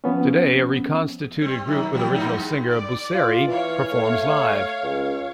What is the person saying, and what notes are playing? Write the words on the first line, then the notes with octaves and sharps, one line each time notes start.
Today, a reconstituted group, with original singer Busseri, performs live.
F3 B3 C#4
G3 C4
D#3 F#3
E2 F#3 G4
G2 B3 D#4
G#3
D5
F4
E3 C#5 F5
A3
C#2